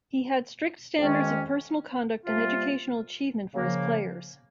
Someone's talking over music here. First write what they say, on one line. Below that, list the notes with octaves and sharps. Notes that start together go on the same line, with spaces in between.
He had strict standards of personal conduct and educational achievement for his players.
F2 D#3 G#3 C#4 G4
C3 G3 A#3 F4
C#3 F3 A#3